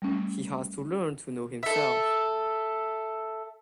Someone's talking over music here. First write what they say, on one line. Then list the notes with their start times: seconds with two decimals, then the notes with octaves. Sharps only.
He has to learn to know himself.
0.02 G3 A3 C#4
1.63 A4 E5